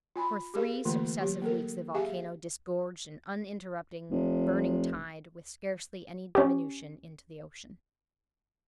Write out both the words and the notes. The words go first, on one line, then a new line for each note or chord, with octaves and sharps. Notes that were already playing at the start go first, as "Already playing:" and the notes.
For three successive weeks the volcano disgorged an uninterrupted burning tide, with scarcely any diminution, into the ocean.
F4 G#5 B5
G4 G#4 A#4 F5
D3 E3 A3 A#3 F4
F#3 G4
A#3 A4 A#4
G4 G#4 E5 F5 G#5
F1
C#4 G4